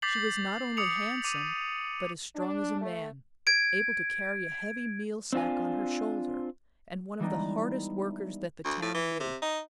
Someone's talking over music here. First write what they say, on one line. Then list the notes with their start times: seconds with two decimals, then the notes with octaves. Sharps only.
She was not only handsome, but as strong as a man, able to carry a heavy meal-sack on her shoulder; and one of the hardest workers that the town knew.
0.02 D6 G6 A6 B6 C7 F#7
0.77 D6 D#6 C#7 F7
1.24 D6 D#7
2.35 D4
2.81 A3
3.47 G#6 D7
5.33 C4 D4 F4 G#5
7.20 E3 G3 G#3 B3 D4 D#4
8.65 D2
8.82 A2
8.94 E3
9.20 C3
9.42 D#4